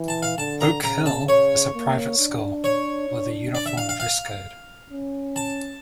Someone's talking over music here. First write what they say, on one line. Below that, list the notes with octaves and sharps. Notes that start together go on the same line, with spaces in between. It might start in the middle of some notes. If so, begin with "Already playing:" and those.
Oak Hill is a private school with a uniform dress code.
Already playing: E3
A5
F5
D3 A5
A#5
C#3 A#5
A5
C#5
A#3
D4
C#5
D4
D5
E5
F5
F5
F5
C#4
A5